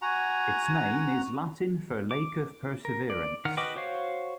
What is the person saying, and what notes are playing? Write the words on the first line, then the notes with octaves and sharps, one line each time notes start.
Its name is Latin for Lake of Perseverance.
F#4 F#5 G#5 A#5
D6
A#4
D5
D#3 F#5 F6
F#4 B4 D#5 G5 D6
F#4 C5 C#5 F5